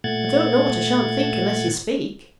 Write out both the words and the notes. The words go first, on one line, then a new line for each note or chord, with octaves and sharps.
I don't know what I shan't think unless you speak.
A#2 A3 F#5 F#6 G#6 A6